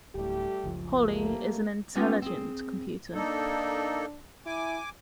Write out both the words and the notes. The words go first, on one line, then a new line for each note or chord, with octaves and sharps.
Holly is an "intelligent" computer.
D1 A2 G3 A3 G4
F#1 C#2 F3
G3 A3 A#3
G#3 B3 C#4 D#4 F4 G4
C4 G#4
A#3 D4 D#4 A4
E4 G#5 D6